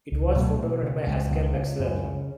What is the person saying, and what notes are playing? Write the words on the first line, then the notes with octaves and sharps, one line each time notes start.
It was photographed by Haskell Wexler.
C#2
B2 F#3 A3
B2
C#3
C#2
C#2
C#2
F#2
C#3